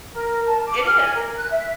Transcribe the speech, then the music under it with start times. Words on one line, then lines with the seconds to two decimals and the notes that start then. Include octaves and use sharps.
It is.
0.13 A#4
0.47 A5
0.64 D6
0.83 F6
0.98 G#5
1.13 A#4
1.35 F#6
1.51 E5